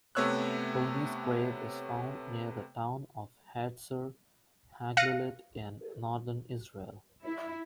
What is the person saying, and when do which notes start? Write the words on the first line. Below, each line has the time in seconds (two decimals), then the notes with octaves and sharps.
Honi's grave is found near the town of Hatzor HaGlilit in northern Israel.
0.15 C3 A3 B3 C#5 E6 F#6
4.97 F5 F#6 A#6 C#7 D#7
7.25 E4